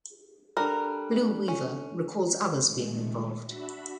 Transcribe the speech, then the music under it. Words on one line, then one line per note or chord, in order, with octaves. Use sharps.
Blue Weaver recalls others being involved.
G3 D4 A4 A#4 F#6
C#4
A#2 D#3 G#3 A3
D4 F#4 E5 B5